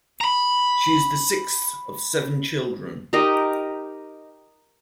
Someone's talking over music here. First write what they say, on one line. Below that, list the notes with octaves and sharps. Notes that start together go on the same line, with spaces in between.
She is the sixth of seven children.
A#5 B5
D#4 G4 A#4 D#5